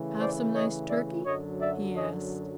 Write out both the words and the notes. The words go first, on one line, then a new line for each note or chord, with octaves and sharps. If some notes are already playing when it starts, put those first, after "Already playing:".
"Have some nice turkey?" he asked.
Already playing: C#3 E3 A3
C5 D5
C#5 D#5
D5 E5
F#2 D3 F#3 C#5 D#5
D5 E5
C#5 D#5